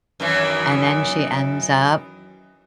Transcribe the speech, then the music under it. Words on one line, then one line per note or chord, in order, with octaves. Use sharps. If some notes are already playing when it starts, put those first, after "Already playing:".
and then she ends up
F#2 D#3 E3